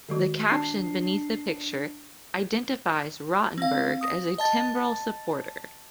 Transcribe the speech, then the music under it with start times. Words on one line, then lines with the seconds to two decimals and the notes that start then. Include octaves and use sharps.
The caption beneath the picture identifies Rotenberg as a Timbrell supporter.
0.09 D#3 G#3 F#4
0.48 D4 C7
3.58 C4 F5
4.01 D#6 A#6
4.38 D#5 A5 A6